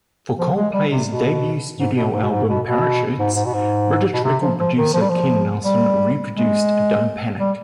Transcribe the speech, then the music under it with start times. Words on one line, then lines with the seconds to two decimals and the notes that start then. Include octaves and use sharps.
For Coldplay's debut studio album "Parachutes", British record producer Ken Nelson re-produced "Don't Panic".
0.38 F3
0.56 G#3
0.73 G3
0.90 C3
1.08 B2
1.78 G#2
1.96 B2
2.13 G#2
2.22 B2
2.31 G#2
2.48 B2
2.66 B2
3.18 G#2
3.36 G#2
3.45 B2
3.53 G#2
4.13 B2
4.24 C3
4.41 F3
4.58 F3
4.77 D#3
4.93 F3
5.01 G3
5.09 F3
5.64 G3
6.34 G#3
7.39 G3